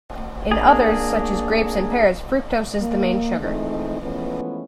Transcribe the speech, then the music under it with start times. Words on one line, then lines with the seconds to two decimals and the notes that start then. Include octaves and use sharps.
In others, such as grapes and pears, fructose is the main sugar.
0.52 A#3 D4 G#4
2.80 A#3
3.39 E3 F3 G#3 A3 C4 D#4
4.01 E3 F3 G#3 A3 B3 C#4